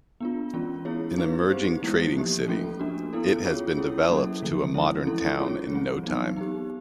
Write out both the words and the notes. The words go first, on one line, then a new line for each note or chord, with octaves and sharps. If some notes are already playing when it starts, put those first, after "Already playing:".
An emerging trading city.it has been developed to a modern town in no time.
B3 D4 F4
E3 G#3 C#4 F4
B3 E4 G#4 C#5
B3 D#4 G#4 B4
C4 D#4 G4 C5
E3 G#3 B3 E4
F3 A#3 D#4 G4
F3 A3 C#4 F4 A4
A#3 D4 F#4
B3 E4 A4
C#4 F4 G#4 C#5
C#4 E4 G#4
F#3 A#3 C#4 E4 A4
D3 F3 A#3
E3 G#3 C4 E4
F3 G#3 C#4 E4 A4
C#4 F4 G#4 C#5
E3 G3 C4
F#3 B3 D#4
B3 D#4 G4